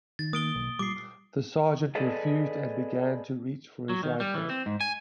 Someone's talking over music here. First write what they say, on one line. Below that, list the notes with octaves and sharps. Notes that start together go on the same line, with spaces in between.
The sergeant refused and began to reach for his rifle.
D#3 A6
A#3 D#6 D7 G7
B1
A#2 G3 D6 C7
G#4 A4 B4 D5 D#5 A5
F#3
D#3
G3
E3
C4
G#2
G#5